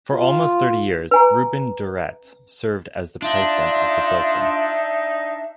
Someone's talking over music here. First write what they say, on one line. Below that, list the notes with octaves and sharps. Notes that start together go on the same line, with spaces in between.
For almost thirty years, Reuben Durrett served as the president of the Filson.
F4
B4 G#5 A#5
D4 D#4 F4 E5